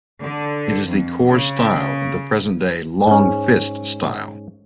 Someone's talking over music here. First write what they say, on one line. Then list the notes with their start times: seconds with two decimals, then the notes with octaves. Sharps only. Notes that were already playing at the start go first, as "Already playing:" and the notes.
It is the core style of the present-day Long Fist style.
0.21 D3
0.86 F2
1.27 C#3
3.07 G#2 C#4